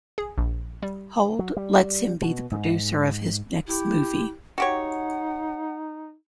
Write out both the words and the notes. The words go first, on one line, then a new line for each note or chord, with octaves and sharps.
Hold lets him be the producer of his next movie.
G#4
A#1
G3
F#3
G3
B2
G#2
E4 G4
D#4 F#4 G4 C#5 F#5